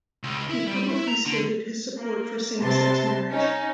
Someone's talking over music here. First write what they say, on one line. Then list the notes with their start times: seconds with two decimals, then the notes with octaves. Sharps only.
He publicly stated his support for same-sex marriage.
0.23 C#2
0.50 E4
0.67 G3
0.89 E4
1.07 A#5
1.26 D3
1.98 A#3
2.59 C3 B4 A5 C6
3.31 C#4 D#4